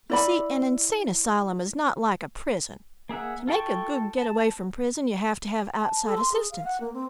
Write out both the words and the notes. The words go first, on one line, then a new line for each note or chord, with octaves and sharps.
You see, an insane asylum is not like a prison; to make a good get-away from prison you have to have outside assistance.
E4 D5 B5
A#3 G#4 E5 F#5
F4 A4 G5 A5 C#6
A5
A5
A4
C6
G#4
F5
F#5
A#3
C4